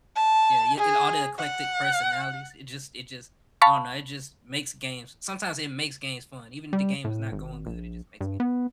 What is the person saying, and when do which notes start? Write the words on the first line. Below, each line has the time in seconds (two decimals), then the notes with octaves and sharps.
yeah, i it all the eclectic personalities, it just it just I don't know, it just makes games sometimes it makes games fun, even the game is not going good, it just makes games fun.
0.15 A5
0.78 G#4
1.39 F#5
3.62 F5 A5 B5 C#6
6.73 G3
7.05 A2
7.32 G#1
7.66 A#1
8.21 G2
8.40 B3